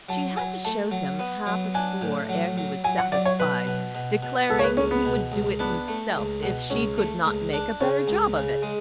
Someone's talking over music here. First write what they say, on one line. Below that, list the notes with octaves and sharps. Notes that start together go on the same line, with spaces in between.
She had to show him half a score ere he was satisfied, declaring he would do it himself, if she could not make a better job of it.
F#3 A5
F#3 G#5
A3 A5
F#3
B3
F#3
D4 G#5
A2
F#3
F#3
F#3 G#5
F#5
F#3 D5
C#5
B2 B4
B2
B2
B2
C#2 A4
C#5
B4
C#2 C#4
B3
B2
C#2
B3 D4
A3
C#2
B2
C#2 C#4
A3
C#2
D4
C#3 C#4
C#2
C#3
G#3